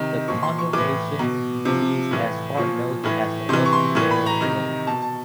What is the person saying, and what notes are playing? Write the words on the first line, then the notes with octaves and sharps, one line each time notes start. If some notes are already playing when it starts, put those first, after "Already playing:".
The conurbation increased as far north as the Edgware Way.
Already playing: C3 D#3
A#2 F3 C#6
C6
C#6
A2 E3 D6
B2
C3 F3
A2 E3
A#2 F3 C#6
A2 E3
C3 E3 C6
C#6
C6
A2 E3 C#6
B5
A#5
C3 D#3 A#5
B2 A5
A5